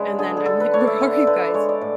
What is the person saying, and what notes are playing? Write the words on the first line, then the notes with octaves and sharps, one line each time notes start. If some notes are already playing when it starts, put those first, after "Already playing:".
and then I'm like, "Where are you guys?"
Already playing: C#3 G#3 D4 B4
D3 G#4
G#4
D3 A4
B4
D4 C#5
D5
E5
D3 E5
D3 B4
G#3 C#5
D5
A2